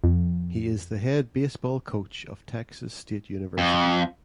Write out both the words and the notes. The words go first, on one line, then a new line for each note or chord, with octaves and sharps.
He is the head baseball coach of Texas State University.
F2
F2